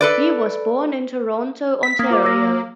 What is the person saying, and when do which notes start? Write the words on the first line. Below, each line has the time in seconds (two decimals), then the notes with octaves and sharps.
He was born in Toronto, Ontario.
0.01 A4 B4 D5
1.83 B6
1.99 A#3 D#6 G#6 B6
2.10 F4 C5 D6
2.24 D6 E6 A#6